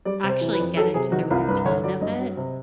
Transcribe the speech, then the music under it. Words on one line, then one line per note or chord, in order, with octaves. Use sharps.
actually get into the routine of it,
G3 D5
C3
C5
E3
B4
F2
F#3 A4
C3 G#4
D#3 F#4
C2 F4
G2 B4
D3 C#5
F#3 D5
G2 D#5
F#3
C3